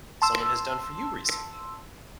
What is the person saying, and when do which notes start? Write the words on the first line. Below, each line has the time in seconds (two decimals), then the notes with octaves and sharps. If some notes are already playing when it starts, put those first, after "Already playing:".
someone has done for you recently?
0.22 A5 C6 E6